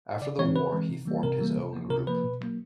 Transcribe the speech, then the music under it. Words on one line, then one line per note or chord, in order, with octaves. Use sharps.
After the war he formed his own group.
C#3 D5
E3 G#3 C4 C#5
C#3 B4
E3 G#3 C4
C3
E3 G3 A#3
C3 A#4
E3 G3 A#3
C3
F3 A#3
C3 A#4
F3 A#3 B4
B2
F#3 A#3